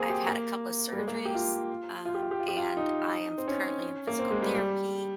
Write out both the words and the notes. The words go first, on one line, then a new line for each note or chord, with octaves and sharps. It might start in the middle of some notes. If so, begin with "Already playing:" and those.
I've had a couple of surgeries, um, and I am currently in physical therapy
Already playing: A#3 C4 G#4
G4
A#3
G3
G#3
A#3
G4
F4
F4
G4
F4
G4
F4
G4
F4
D#4
C4
C#4
A#3
C4
G#3
G3
G3